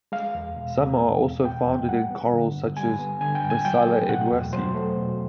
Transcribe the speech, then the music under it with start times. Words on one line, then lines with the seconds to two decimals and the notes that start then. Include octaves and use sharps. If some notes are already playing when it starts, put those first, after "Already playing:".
Some are also found in corals such as Maasella edwardsi.
0.12 G#3 F5
0.35 E2
0.56 B2
0.79 E2
1.01 G#3
1.23 E2
1.44 B2 G5
1.67 E2
1.88 G3 F#5
2.11 B3
2.33 D3
2.55 G2
2.77 G3 G#5
2.99 B3
3.21 D3 G#5
3.35 G5
3.43 G2
3.50 G#5
3.65 F#3 G5
3.87 A3
4.09 B2 F#5
4.31 E2
4.53 F#3 C5
4.75 A3
4.97 B2